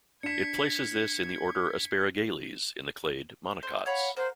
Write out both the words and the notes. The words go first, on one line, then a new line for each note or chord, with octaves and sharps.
It places this in the order Asparagales, in the clade monocots.
D4 G#6 B6 C#7 E7
C5
C#5 F5 F#5 B5
A#3 F#4 C5